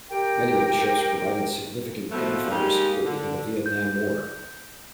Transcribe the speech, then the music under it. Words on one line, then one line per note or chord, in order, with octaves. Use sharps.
Many of the ships provided significant gunfire support in the Vietnam War.
G4 A#4 G5
B2 F3 A3 B3 C4
G3 G#3 A#3 D#4 G4
D3
G6